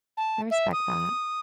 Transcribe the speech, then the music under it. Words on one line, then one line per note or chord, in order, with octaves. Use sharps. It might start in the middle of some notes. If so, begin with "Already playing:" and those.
I respect that.
A5
E5
D#6